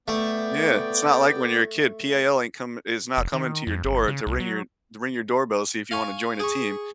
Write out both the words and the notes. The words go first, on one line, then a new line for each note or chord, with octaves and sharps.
Yeah, it's not like when you're a kid, PAL ain't come is not coming to your door to ring your to ring your doorbell, see if you wanna join a team.
A3 B3 D5 G5
F1
D#3
F2
G1
C#3
C2
F#3
F5 G#5 C#6
G#4 C#6